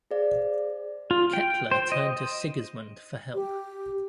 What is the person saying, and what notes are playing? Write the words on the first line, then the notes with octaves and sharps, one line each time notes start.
Kettler turned to Sigismund for help.
G#4 C5 D5 F5
F4
G5
C5
D#5
G4